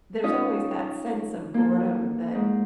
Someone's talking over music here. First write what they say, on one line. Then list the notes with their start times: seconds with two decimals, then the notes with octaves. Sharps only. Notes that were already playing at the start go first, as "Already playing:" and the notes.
there's always that sense of boredom that,
0.23 C#4 D#4 F4 C#5 D#5
1.54 A#3 F4 A4
2.35 G#2